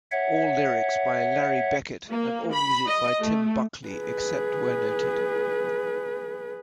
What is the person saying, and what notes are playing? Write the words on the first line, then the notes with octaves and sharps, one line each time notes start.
All lyrics by Larry Beckett and all music by Tim Buckley, except where noted.
C#5 E5 F#5
A#3
B5
D#5
A3
G#4 B4